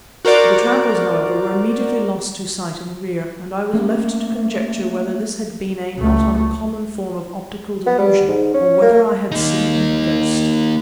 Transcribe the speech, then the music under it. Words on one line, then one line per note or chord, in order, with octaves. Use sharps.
The travellers, however, were immediately lost to sight in the rear, and I was left to conjecture whether this had been a not uncommon form of optical delusion or whether I had seen a ghost.
F#4 A#4 C5 D5
A3 A#3 C#4
C#2 A3
B3
G3
G#2
C#4
A#3
A#3 D#4